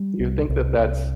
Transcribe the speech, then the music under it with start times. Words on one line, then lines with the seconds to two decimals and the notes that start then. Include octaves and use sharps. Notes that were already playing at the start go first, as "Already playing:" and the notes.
Do you think that that's
Already playing: G3
0.20 C2
0.49 C2
0.78 C2